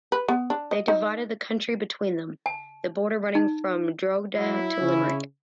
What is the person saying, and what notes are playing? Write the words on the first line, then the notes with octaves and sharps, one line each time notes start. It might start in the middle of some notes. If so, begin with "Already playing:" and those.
They divided the country between them, the border running from Drogheda to Limerick.
B4
B3
D4
D#5
D#4
A5
D#4
F#3 E4
C#3 C#4